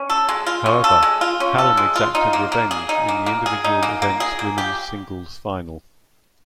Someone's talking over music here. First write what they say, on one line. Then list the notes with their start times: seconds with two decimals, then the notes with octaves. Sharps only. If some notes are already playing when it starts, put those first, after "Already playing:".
However, Hallam exacted revenge in the individual events women's singles final.
Already playing: C#4
0.10 A4
0.29 G#3
0.46 F4
0.66 C#4
0.84 A4
1.03 G#3
1.21 F4
1.40 C#4
1.58 A4
1.77 G#3
1.96 F4
2.15 D#4
2.33 A#3
2.52 A#3
2.71 G#4
2.89 D#4
3.09 A#3
3.26 A#3
3.46 G#4
3.64 D#4
3.83 A#3
4.02 A#3
4.20 G#4
4.39 A#3
4.58 G4